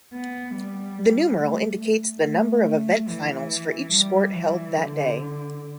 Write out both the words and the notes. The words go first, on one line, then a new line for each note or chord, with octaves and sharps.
The numeral indicates the number of event finals for each sport held that day.
B3
G3
A3
A3
E3
G3
E3
D3